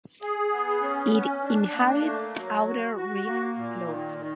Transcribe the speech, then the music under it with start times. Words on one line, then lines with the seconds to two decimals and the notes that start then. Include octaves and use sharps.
It inhabits outer reef slopes.
0.22 G#4
0.52 B3
0.82 C#4
1.13 C#4
1.43 D4
1.74 A#3
2.04 A3
2.36 F#3
2.66 F#4
2.96 F#4
3.27 A#3
3.56 A#2
3.87 D#3
4.18 D#3